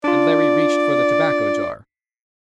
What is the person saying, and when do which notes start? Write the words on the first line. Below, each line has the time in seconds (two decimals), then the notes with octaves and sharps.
And Larry reached for the tobacco jar.
0.04 D4 F4 D5